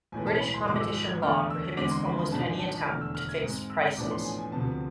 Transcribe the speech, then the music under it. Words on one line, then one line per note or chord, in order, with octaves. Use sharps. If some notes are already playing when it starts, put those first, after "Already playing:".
British competition law prohibits almost any attempt to fix prices.
B1 A2 E3 G#3 B3 G#5
A5
B5
C6
G#1 G#2 F3 G#3 D6
E6
G#6
E2 D3 A3 D4 F6
E6
E2 D3 G#3 C4 D6
C6
B5
B5
G#1 G#2 F3 G#3 D4 A5
G#5
A5
A5
E1 E2 D3 A3 D4 F6
E6
F6
G#6
G#2 G#3 C4
E6
A1 A2 F3 B3 D4 D6
C6
G#5
G#5
D2 C3 F3 B3 A5